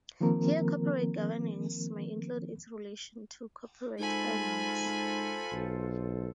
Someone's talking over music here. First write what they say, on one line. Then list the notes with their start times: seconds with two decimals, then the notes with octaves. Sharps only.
Here corporate governance may include its relation to corporate finance.
0.20 D#3 F3 A#3 C4 A#4
3.99 G#2 F4 A4 C5 G#5 B5
5.52 B1